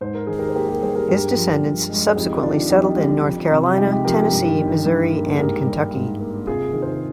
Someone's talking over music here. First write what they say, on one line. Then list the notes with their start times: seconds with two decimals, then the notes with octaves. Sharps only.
His descendants subsequently settled in North Carolina, Tennessee, Missouri and Kentucky.
0.01 G#2 C5
0.14 A#4
0.27 D#3 G#4
0.39 G4 A#4
0.49 C5
0.55 A#3 G4 A#4
0.68 G4 A#4
0.82 G3 G#4 C5
0.95 G4 A#4
1.08 G2 G4 A#4
1.35 F3
1.63 G2
1.90 G#3
2.11 G#4
2.16 F2 D#4 G4
2.43 D#3 D4 F4
2.70 F2 D#4 G4
2.97 G3
3.25 F2
3.51 C3
3.78 G#3 D#4 G4
4.05 F3 G4 A#4
4.32 G2
4.58 D#3
4.85 G2
5.12 A#3
5.35 G#4
5.39 G#2 G4 A#4
5.67 G3
5.94 G#2
6.20 A#3
6.47 C3 F4 G#4
6.73 D#3
6.82 G#4 C5